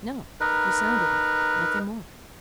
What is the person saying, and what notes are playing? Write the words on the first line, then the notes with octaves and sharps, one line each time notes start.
No, you sounded me, nothing more.
D#4 A#4 B4